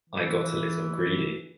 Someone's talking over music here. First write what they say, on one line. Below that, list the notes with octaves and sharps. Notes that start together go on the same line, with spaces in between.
I got a little greedy.
E3